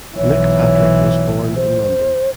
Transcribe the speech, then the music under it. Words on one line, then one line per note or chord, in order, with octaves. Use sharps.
Nick Patrick was born in London.
B1 E3 C#5
C5